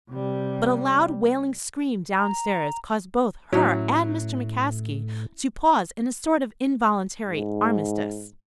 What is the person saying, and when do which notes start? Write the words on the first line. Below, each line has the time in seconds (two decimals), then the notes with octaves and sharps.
But a loud, wailing scream downstairs caused both her and Mr. McCaskey to pause in a sort of involuntary armistice.
0.11 C3 G3
2.18 A#5
3.53 A2 F#3 C#4 E4
7.26 G#2